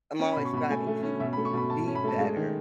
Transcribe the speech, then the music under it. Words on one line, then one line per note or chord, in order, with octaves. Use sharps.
I'm always striving to be better,
C#4
B5
B2
C#6
B2 B5
A3 G#5
A3
C#4
B2 E5
B5
A3
C#6
B2 B5
B2 A5
C#4
B5
A3 A5
G#3
D#3